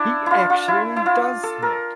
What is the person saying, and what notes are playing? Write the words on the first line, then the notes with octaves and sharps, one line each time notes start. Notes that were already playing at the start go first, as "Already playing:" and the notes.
He actually does that.
Already playing: D4 E4
E4 F4
F4
E4
E4
F4
A4
A#4